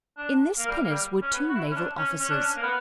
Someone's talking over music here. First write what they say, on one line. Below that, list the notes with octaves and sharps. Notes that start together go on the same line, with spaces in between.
In this pinnace were two naval officers.
D4
A#3
G3
A#3
G3
C#4
B3
F#4
E4
C#4
D4
C#4
C#4
D4
C#4
A#3
B3